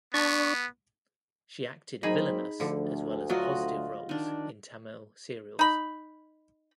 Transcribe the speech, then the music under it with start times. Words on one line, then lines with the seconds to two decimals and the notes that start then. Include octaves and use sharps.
She acted villainous as well as positive roles in Tamil serials.
0.14 B3 D4 D5 C#6
2.03 F#3 A#3 C4 D#4 G#4 B5
2.60 D2 D3 F3
3.30 F#3 F4 F#4 D#5
4.09 D#3 D4
5.59 D#4 B5